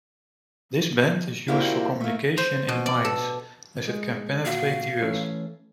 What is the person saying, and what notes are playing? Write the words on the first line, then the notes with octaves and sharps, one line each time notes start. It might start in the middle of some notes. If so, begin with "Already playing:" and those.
This band is used for communications in mines, as it can penetrate the earth.
A#2 A#3 C4 E4 F#4 G4
A3 A#3
C5
B2
D5
A4
G#3
A#2 F#4 F5
E3 A3 C#4